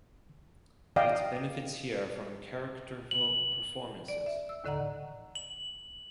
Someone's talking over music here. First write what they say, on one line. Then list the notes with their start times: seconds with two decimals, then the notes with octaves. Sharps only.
It benefits here from characterful performances.
0.96 D5 D#5 F5 G5
3.11 F#7
4.08 D5
4.26 E5
4.49 E6
4.64 D#2 A2 D3 D#5 F#5 A#5
5.35 F#7